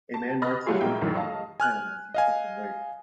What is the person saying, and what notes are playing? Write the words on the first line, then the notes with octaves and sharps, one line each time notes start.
A man marks his newspaper with pen as he sit and waits.
A5
B4 D#5 B5 F6 A6
F#3 G3 A3 E4 F4 G#4
A#1 G#3 A#3 E4 G5
A#1 F#2 D#3 E3
D#5 F5 A5
G#5 F6 F#6
D#5 F5 G#5